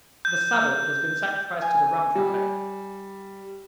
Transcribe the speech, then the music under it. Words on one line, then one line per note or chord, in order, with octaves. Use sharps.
The Sabbath has been sacrificed to the rum traffic.
G6
G#5
G3